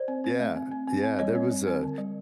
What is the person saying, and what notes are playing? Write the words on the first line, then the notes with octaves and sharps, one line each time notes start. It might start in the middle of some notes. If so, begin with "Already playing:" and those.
Yeah, yeah, there was a
Already playing: C5 D5
C4
C4
A3
C4
C4
C4
C4
G3 C#5 D#5
C4
G3
C4
D3
G3